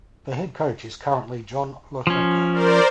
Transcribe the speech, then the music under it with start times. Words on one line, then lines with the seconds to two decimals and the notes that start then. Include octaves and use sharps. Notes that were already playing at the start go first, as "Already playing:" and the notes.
The head coach is currently John Lofranco.
2.07 F3 C#4
2.53 A#4 C5 D5